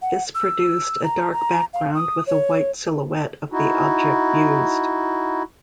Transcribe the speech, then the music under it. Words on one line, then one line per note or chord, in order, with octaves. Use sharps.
This produced a dark background with a white silhouette of the object used.
F#5
E6
A#5
A#5
F5
D#6
C#5
D#4 E4 F#4